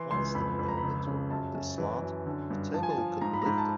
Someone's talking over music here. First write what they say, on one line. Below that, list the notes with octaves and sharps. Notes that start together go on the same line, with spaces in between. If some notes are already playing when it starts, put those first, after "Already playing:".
Once the pin entered the slot, the table could be lifted.
Already playing: E3 C6
C#2 C6
F2 B5
F2 B5
A#5
B5
C#2
C#3
F#2 A5
F#2
E3
F#2
D3
G2
F3 A5
G#5
A5
F3
G#2 A#5
B5
A#5
G#2 B5
A5